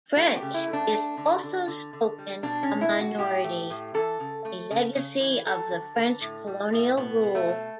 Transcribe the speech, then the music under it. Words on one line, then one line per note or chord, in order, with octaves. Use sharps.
French is also spoken a minority, a legacy of the French colonial rule.
A3 F#4
G4
C#3
E4
A3
D4
A3
D3
D3
D3
D3
G3
B2 D4
C#4
B2
E4
B2
F#4
A2 G4
A3
A2
E3 A4
C#3
A3
C#3
C#3
E3
F#3 A4
D3
D3
A2
G3
A2
B2 B3
B2
A3
B2